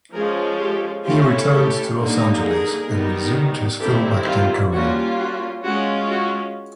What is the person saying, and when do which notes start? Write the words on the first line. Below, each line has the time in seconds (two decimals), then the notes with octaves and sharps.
He returned to Los Angeles and resumed his film acting career.
0.14 F3 G#3 C#4 F4 G#4 A#4
0.60 G4 A4
1.06 A3 C#4 E4 F4 G4
1.52 G4 A4
1.97 D3 G3 A#3 D#4
2.44 G#4 A#4
2.89 D#3 G3 B3 D#4
3.80 D#3 G3 C4 E4 G4 A4
4.26 F4 G4
4.72 G3 A#3 C#4 F4 F#4
5.18 F#4
5.64 G#3 C#4 F4 F#4
6.10 F#4